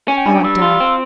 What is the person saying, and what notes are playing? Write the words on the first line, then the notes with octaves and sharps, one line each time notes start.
I went down.
C#4 G#5
G5
G2 G#5
G5
G3 E6
F4
C4